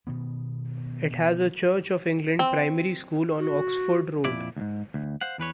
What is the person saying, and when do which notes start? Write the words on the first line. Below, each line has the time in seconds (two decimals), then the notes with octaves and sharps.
It has a Church of England primary school on Oxford Road.
0.07 B2 D#3 B3
2.39 C4
3.40 F#4
4.25 F2 A#2 E4 D5
4.57 D2 G#2
4.94 D2
5.21 C5 F5 F#5
5.38 E2 E3 B4 C#5